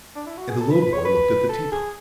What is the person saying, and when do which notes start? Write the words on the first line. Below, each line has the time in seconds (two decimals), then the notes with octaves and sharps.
And the little boy looked at the tea-pot.
0.16 D4
0.26 E4
0.37 F#4
0.49 G#4
0.61 A4
0.71 B4
0.82 B4
0.93 C#5
1.05 B4
1.49 A4
1.72 G#4